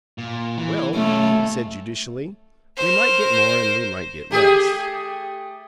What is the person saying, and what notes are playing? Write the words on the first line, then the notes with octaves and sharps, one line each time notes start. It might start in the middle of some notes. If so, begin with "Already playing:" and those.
"Well," he said judicially, "we might get more and we might get less."
A#2
E3
B1 A3 C#4
A#4 C5
A3 G4 G#4